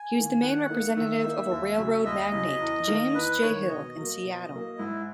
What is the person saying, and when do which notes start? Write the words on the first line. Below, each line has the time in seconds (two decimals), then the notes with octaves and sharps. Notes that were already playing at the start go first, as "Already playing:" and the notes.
He was the main representative of railroad magnate James J. Hill in Seattle.
Already playing: G#5
0.15 D#3 A#3
0.42 D#3 F#5
0.69 A#3 D#4
0.96 D#3 E5
1.24 A#3 D#4
1.51 D#2
1.78 C#3 F#3
2.06 D#2 D#5
2.32 C#3 F#3
2.60 E2
2.87 D#3 A#3 D#4 A#4
3.15 E2 B4
3.42 D#3 A#3 D#4 A#4 C#5
3.69 B2 D#5
3.97 F#3 A#3
4.23 B2
4.51 F#3 A#3
4.78 G#2 E4